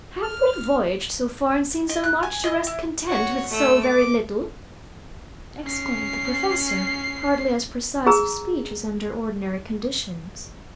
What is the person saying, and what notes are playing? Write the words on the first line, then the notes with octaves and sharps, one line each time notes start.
"Have we voyaged so far and seen so much, to rest content with so very little?" exclaimed the professor, hardly as precise of speech as under ordinary conditions.
F6
D#5
F#6
G#5
D#5
E4
F#4 C#5
A3 E6
D6
C#4 C7
G#4 A#5 E6